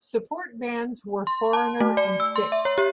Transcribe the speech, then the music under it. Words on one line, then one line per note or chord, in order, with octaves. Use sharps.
Support bands were Foreigner and Styx.
C6
A5
A3
D5
E6
C6
E5
C#5
G4